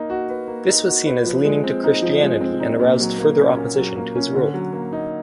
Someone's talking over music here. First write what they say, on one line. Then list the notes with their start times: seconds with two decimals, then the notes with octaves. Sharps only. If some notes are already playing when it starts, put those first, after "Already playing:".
This was seen as leaning to Christianity and aroused further opposition to his rule.
Already playing: A#3 D#4
0.10 F#4
0.29 B4
0.48 A#3
0.68 D#4
0.87 F#4
1.06 B4
1.26 F3
1.45 G#3
1.64 C4
1.84 D#4
2.02 F3
2.23 G#3
2.41 C4
2.60 D#4
2.80 A#2
3.00 F#3
3.18 A#3
3.37 C#4
3.57 A#2
3.76 F#3
3.96 A#3
4.15 C#4
4.35 D3
4.54 F#3
4.73 A#3
4.93 D#4